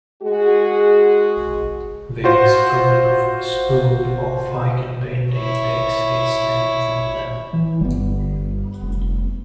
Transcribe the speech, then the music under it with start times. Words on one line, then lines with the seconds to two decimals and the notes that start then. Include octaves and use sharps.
The Stroganov School of icon-painting takes its name from them.
0.23 G#3 F#4 G#4
2.24 F4 F#4 C5
5.32 E4 C#5
7.53 E3
7.81 G1 G3 B3
8.82 F1